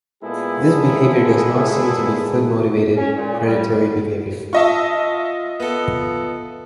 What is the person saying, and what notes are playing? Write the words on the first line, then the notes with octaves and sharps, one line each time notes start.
This behavior does not seem to be "food-motivated predatory behavior".
A#2 G#3 B3 E4 G#4 A4
C#4
A#2
G3
F4 D#5 E5 A5 C#6
B3 A4